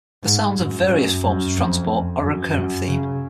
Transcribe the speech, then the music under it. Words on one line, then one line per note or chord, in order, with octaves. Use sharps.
The sounds of various forms of transport are a recurrent theme.
G#2
F#2
F#2
F#2
F2
F#2
F#2
C#3